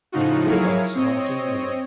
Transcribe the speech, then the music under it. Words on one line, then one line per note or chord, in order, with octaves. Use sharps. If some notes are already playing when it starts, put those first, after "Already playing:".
Thorndyke smiled genially.
A2 C#3 F3 D#4 F4 F#4
F#3 E4 G#4 A#4 C#5 F5
C4 C#5 D#5